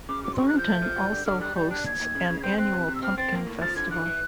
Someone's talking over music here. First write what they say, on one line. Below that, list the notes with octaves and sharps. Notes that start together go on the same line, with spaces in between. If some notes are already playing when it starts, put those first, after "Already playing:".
Thornton also hosts an annual Pumpkin Festival.
C#3 D6
F#3 D6
C6
C#3 C#6
F3 F#6
G6
A3
F3
G3
D3
D3 F6
G3 F#6
G3 G6
D4 F#6
D#2 G#6
D#2
C#3
C#3
G#6
C4 G6
C4 F#6
C3
C3
E6
C4 F6
C4 A6
A#3
A2
F3 A6
D3 G#6
E3 F#6
E3